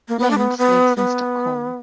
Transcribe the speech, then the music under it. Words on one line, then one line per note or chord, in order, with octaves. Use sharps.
Lind lives in Stockholm.
A#3
B3
D4
B3
B3
B3